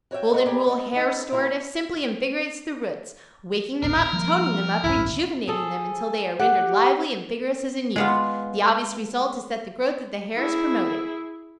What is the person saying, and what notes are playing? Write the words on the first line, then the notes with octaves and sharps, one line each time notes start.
Golden Rule Hair Restorative simply invigorates the roots--waking them up--toning them up--rejuvenating them until they are rendered lively and vigorous as in youth, The obvious result is that the growth of the hair is promoted.
F#4 C#5 D5 E5 G5
G3 G#3 C4 D#5 F#5
A#3 B3 G4 G#4 B4 D5
F#2 D4 D#5 F#5
B3 D4 D#4 A4
A#3 E4 F#4 A#4
D#1 A1 C4 A#4
F3 G3 A#3
A1 D2 G2 E4
G#4 A4
G4 F#5
G#3 B3 F4
E4 G#4